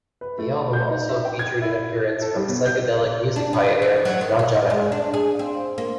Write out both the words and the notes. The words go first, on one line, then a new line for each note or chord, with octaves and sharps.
The album also featured an appearance from psychedelic music pioneer Raja Ram.
B4
A3
G6
D#4
E5
G5
G#6
E4
A4
G3
B2
G6
D4
D#3
E3
F#3
D#3
A#3
G#3
D4
G#4
C4
A#3